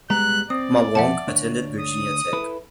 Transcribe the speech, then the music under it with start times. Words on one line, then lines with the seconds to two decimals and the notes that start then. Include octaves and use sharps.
Ma Wong attended Virginia Tech.
0.10 G3 G#3 B3 A#5 F#6
0.50 C4 D5 D#6
0.95 F2 B2 E5 F#5 A5
1.27 D2 D4 C#5
1.80 D#6
2.33 E4 A4 B4